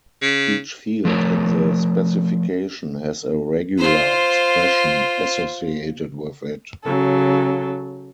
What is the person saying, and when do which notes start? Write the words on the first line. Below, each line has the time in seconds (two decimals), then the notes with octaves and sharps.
Each field in the specification has a regular expression associated with it.
0.22 C#3
1.05 F3 A3 A#4 C#5
3.78 F4 C5
6.84 C#3 F#3 A4